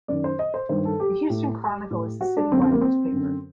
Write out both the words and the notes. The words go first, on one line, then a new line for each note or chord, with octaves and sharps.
The "Houston Chronicle" is the citywide newspaper.
F#2 D#3 D5
C5
D#5
C5
G2 D#3 C5
A4
G4
A2
A2
F#4
D4
F#2 D3 C4
C4
A#3
C4
F#2 D3